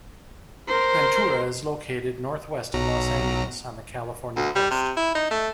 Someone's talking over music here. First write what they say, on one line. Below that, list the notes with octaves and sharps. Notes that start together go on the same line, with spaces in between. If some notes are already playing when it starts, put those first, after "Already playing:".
Ventura is located northwest of Los Angeles on the California coast.
A#4 C5
B1 F#3 A#5
D2
G3
C3
E4
D#4
A3